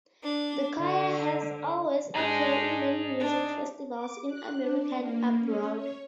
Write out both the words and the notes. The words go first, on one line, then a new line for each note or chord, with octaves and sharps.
The choir has also appeared in many music festivals in America and abroad.
D4
D3
G#3 D4 D#4 G#4
D4
D6
F#6
D4
A#3
C#4
C#5